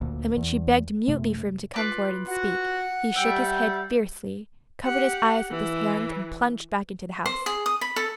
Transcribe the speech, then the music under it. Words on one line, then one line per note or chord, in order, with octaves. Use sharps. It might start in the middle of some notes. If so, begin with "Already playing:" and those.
And when she begged mutely for him to come forward and speak, he shook his head fiercely, covered his eyes with his hand, and plunged back into the house.
D2 A#2
E2
F#2 C3 A3
F4 B4 D5
F#4 F#5
G3 E5 G5
G4 F#5
E3
C5
G#4
D#6
B5
A4